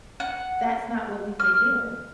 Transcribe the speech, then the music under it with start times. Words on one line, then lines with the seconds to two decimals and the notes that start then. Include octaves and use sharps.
That's not what we've been doing.
0.20 F#5
1.40 F6